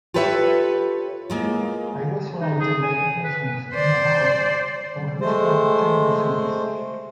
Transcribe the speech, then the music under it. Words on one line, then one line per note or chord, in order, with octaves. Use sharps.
I was frightened by a presence in my house that whispered terrible things.
F4 G4 A4 B4 C#5 E5
G#3 A#3 F4
D#4
G#4
G#5
B4
C5 D5
G#3 A3 C5